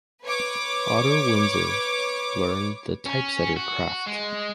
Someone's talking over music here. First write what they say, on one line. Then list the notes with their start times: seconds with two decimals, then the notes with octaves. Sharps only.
Otto Winzer learned the typesetter craft.
0.23 B4 C#5 D6
3.06 C#4
3.56 F#4
4.07 G#3